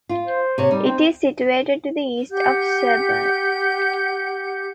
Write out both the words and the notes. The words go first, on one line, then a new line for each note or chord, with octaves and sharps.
It is situated to the east of Sherburn.
F4
C5
C3 C#5
G3 D#4
C4
G4 F#5 G6